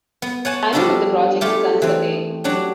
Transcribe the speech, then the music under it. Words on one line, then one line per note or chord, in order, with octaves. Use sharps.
Timing of the project is uncertain.
B3
C#5 F#5 G#5 A5
F3 G3 D4 F#4 A4 B4
A3 F4 G4 G#4
E3 C4
F#3 D4 F#4 G4